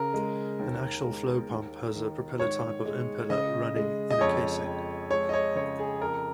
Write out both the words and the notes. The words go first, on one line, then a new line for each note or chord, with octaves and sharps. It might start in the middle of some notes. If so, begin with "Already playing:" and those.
An axial flow pump has a propeller-type of impeller running in a casing.
Already playing: C#3 A#4
G#3
D#2
G#3
D#2
D#3
G#2 C#5
G#3
C#3 D#5
G#3
D#5
F2 C#5
F2
G#3 C#5
D#5
C#5
C#3 C#5
G#4
F2 A#4